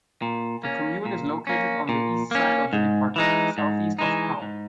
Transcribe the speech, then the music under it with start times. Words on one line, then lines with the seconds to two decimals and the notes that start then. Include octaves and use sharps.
The commune is located on the east side of the department, southeast of Pau.
0.22 A#2
0.63 A#3 C#4
1.05 A#2
1.47 A#3 C#4
1.89 A#2
2.31 A#3 C#4
2.73 G#2
3.16 E3 G#3 D#4
3.58 G#2
3.99 E3 G#3 D#4
4.42 G#2